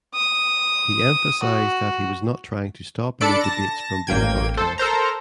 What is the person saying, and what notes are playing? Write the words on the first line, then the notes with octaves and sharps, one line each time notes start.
He emphasised that he was not trying to stop any debates from being broadcast.
D#6
F#4
D4 A4 D5 B5 C#7 D7
A5 A#6
A1 A#3 G5 G#6
A4 C5
A4 A#4 C5 A#5